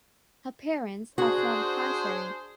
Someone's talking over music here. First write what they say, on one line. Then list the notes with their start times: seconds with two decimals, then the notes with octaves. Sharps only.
Her parents are from Kayseri.
1.18 D4 F#4 G#4 C5